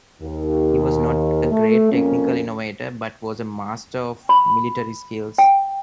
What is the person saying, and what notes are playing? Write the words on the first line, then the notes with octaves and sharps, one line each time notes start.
He was not a great technical innovator, but was a master of military skills.
D#2
A3
F2 A#3 C#4
B5
G5